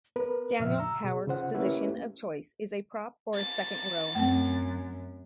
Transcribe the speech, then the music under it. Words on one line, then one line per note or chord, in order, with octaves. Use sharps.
Daniel Howard's position of choice is a prop or a second-row.
B3 A#4 B4
F2 A#2 C#3 F3 E5 F6
A#5 E6
B2 G#4
C#3 F4 C5 F#5
A3 A#3 C#4 E4 G4 B4
A6
F#2 A3 C4